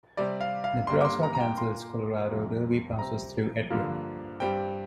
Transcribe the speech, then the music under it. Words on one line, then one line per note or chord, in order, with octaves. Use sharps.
Nebraska Kansas Colorado Railway passes through Atwood.
C3 G3 C4 D5
F5
F5
G2 G3 A#3 C6
D6
C6
A#5
A#5
G5
A#2 A#3 C6
F2 C3 G3 A#3
C3 G3 C4 A#5
G2 D3 F3 A#3
G2 G3 C4 G5